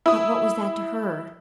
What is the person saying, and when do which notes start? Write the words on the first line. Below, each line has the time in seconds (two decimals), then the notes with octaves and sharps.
But what was that to her?
0.06 E4 D#6